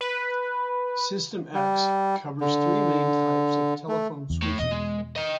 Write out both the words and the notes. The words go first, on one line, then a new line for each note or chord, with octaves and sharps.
System X covers three main types of telephone switching equipment.
B4
G3
D3
A3
E2
A2
E2 B2 D#5
G#3
D#5 G5